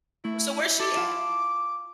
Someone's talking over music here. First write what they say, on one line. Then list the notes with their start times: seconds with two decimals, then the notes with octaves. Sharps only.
So, where's she at?
0.25 A3 E4
0.80 A4 D6
0.96 F4 A5